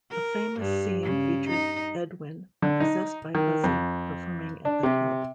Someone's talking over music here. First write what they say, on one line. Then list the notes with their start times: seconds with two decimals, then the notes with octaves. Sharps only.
A famous scene features Edwin, possessed by Buzzy, performing at the Club.
0.11 A#4
0.59 G2
1.02 C#3
1.48 D#4
2.62 D3
2.80 D#4
3.35 D#3
3.64 F2
4.65 D4
4.83 C3